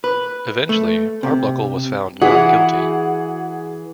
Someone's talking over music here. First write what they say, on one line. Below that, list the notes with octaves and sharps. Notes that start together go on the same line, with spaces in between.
Eventually Arbuckle was found not guilty.
B4
A3
C3
E3 F#4 G#4 F#5